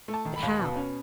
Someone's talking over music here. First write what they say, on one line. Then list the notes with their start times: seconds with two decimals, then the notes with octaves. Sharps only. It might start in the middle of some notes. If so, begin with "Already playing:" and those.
But how?
0.08 A3
0.14 A5
0.25 D#3
0.36 B5
0.43 D#2
0.59 B2
0.76 C#4